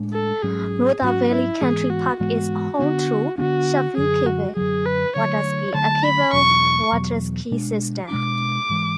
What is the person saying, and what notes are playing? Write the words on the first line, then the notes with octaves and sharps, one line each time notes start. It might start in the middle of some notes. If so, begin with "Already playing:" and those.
Rother Valley Country Park is home to Sheffield Cable Waterski, a cable waterski system.
Already playing: A2 G#3 D4
A4
G#2 F#3 C#4 G#4
G#2 F#3 C#4 F#4
E4
G#2 E3 G#3 B3 G#4
F#4
G#2 E3 G#3 B3 F#4
D3 F#3 B3 D4 F#4
D3 F#3 B3 D4 F#4
F#2 D3 F#3 G#4
F#4
F#2 D3 F#3 G#4
B4
D3 F#3 A3 C#5
D3 F#3 A3 A5
B5
E2 B2 F#3 C#6
E2 B2 F#3
B2 G#3 D4
B2 G#3 D4 D6
G#2 E3 G#3